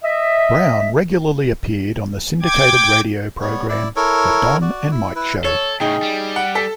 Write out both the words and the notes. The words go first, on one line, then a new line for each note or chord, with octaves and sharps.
Brown regularly appeared on the syndicated radio program, "The Don and Mike Show".
D#5 E5
G5 D6 G#6
G3 B3 C#5
E4 D5
E4 A4 A#4 C#5
F#4 D5
E4
E4 B4
A4 C#5
A2 C#3 D#4 G#4 G5
G3
F#5
A4 A5 B6